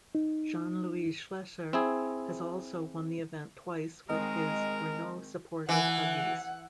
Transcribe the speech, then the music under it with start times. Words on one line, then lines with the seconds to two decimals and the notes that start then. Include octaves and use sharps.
Jean-Louis Schlesser has also won the event twice with his Renault-supported buggies.
0.15 D#4
1.73 C4 E4 G#4
4.09 D#3 G#3 C4 A#4 D#5
5.69 E3 F#5